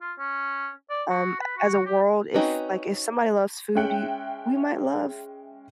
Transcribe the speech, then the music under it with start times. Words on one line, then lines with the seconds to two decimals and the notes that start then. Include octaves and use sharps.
um, as a world if, like, if somebody loves food, y we might love,
0.02 F4
0.18 C#4
0.90 D5
1.10 F#4
1.39 B4
1.57 F#4
1.86 G4
2.34 C4 C#4 D#4 F#4 B4
3.75 G#3 C#4 E5 G5 F#6 C#7